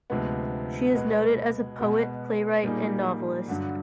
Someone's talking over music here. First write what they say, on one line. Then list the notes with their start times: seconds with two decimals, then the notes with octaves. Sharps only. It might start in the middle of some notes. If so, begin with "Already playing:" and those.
She is noted as a poet, playwright, and novelist.
0.10 D2 C3 F3 G#3 B3
0.94 B2 G#3 B3
1.79 B2 G#3 B3
2.63 A#2 G3 A#3 D#4 G#4
3.48 G2 D3 F#3